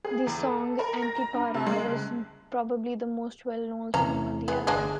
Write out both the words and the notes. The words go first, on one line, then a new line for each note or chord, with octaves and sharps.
The song "Antipara" was probably the most well-known song on the album.
G#4
E2
A4
A#4
A#6
A#5
G2
C3
G#3
F#1
E2 C3 E3 C#4 A#5
B3 G#4
G1 G#3 D4 G#4